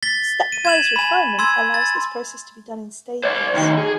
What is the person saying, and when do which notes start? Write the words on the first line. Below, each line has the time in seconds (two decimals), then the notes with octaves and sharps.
"Stepwise refinement" allows this process to be done in stages.
0.03 A6 B6 G7
0.52 D#7
0.65 G#6 E7 F#7
0.96 G#5 B5
1.39 C6 E6 G#6
1.74 A6
3.24 C5 D5
3.54 C2 D#3
3.77 G#4